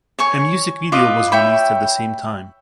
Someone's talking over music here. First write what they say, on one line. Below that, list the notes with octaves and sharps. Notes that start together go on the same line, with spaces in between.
A music video was released at the same time.
C#5 G#5 C#6
F4 B4 D#5 D6
C#5 E5 G5 B5